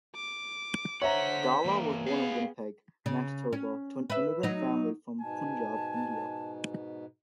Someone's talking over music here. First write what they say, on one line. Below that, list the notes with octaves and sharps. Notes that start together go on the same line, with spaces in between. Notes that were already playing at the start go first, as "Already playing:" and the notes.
Dhalla was born in Winnipeg, Manitoba to an immigrant family from Punjab, India.
D6
D3 C5 C#5 E5 F#5 A#5 B6
A2 E3 A#3
B3 G4 G#4 F5
C#3
C#4
B4 E5
F#3 D#4
G#2 B2 G#5 A5